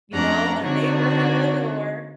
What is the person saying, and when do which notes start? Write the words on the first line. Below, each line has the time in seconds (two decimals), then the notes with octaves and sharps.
you know, a neighborhood or
0.12 F2 A3 C#4 D4 F#5 A#5
0.61 D3 C4 D4 D#4 F#4 C#5